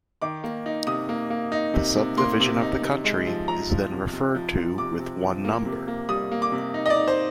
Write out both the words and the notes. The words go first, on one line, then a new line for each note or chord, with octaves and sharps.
The subdivision of the country is then referred to with one number.
D#3 D6
A#3
D#4
C3 D#6
A#3
A#3
D#4
C3
C3
A#3 C6
C3
D#4
C3
G#3
F3
F3 A#5
F3
C3
C3
F3
F3
C3 D6
C3
F3
A#3
C3
A#3
G3 D#6
A#3
D6
C3
D#4
D#5
D5
D#4
C5